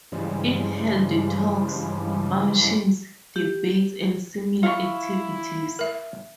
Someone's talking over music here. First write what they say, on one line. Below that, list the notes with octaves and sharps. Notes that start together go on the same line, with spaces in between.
It held talks, functions, debates and similar activities.
G2 C#3 E3 F3 G3 G#3
G4
E4 F4 F5 C#6
A#4 E5